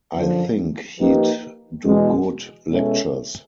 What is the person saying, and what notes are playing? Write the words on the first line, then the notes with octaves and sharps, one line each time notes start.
I think he'd do good lectures.
F#2 D3 F3
F3 A#3 D#4 G4 B4
E2 B2 G#3
B2 G#3 C#4 E4 A4